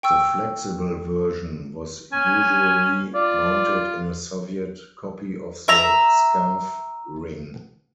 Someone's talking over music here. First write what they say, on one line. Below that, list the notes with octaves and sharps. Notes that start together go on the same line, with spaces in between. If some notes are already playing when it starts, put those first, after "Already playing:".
The flexible version was usually mounted in a Soviet copy of the Scarff ring.
G5 C#6 E6
C#4 G#5
F4 D5
E5 A#5